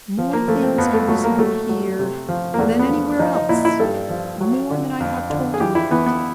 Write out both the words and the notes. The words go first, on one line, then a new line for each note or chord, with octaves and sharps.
More things are visible here than anywhere else--more than I have told you yet.
F3
A#3
F3 A3
C4
F2 B3
A3
F#3 A3
A#3
F#3 A3
F#3
C3
F3
A#3
E2 A3
B3
F3
F3 D#4
D#4
A#2 E4
E4
G2 A4
F3
F#3
D3
F2
D3
G#4
E3 G4
E4
E3 B3
B3